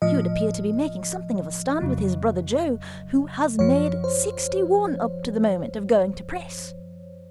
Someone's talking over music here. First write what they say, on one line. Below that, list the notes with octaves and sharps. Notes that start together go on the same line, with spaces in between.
He would appear to be making something of a stand with his brother Joe, who has made sixty-one up to the moment of going to press.
A2 F3 D#5
F2 C#3 F#3
F#2 F3 C#5
C5